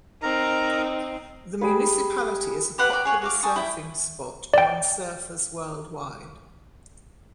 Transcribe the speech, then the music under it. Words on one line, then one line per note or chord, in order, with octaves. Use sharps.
The municipality is a popular surfing spot among surfers worldwide.
C4 D#4 A#4 A#5
G3 G#4 B4
G4 B4 F#5 C6
F#4 D5 G5
G#4 C#5 F#5
F#4 F5 D6
G#5 A5 C#6 D#6
E4 G5
D5 G5